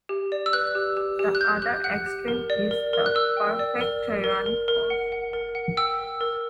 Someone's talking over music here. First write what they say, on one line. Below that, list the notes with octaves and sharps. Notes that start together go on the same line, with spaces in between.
The other extreme is the "perfect tyranny" form.
G4
D5
E6
B4 F#6
G4
G4
G4
F#6
G4 G6
G4 F#6
F#5 F#6
G4
A#4
D5
A#4
A#4
F#6
A#4 E6
G5
D5
A#4
A#4
A#4
A#4
A#4
F#5
F#5
A#4
F#5
G5 E6
A#4
A#4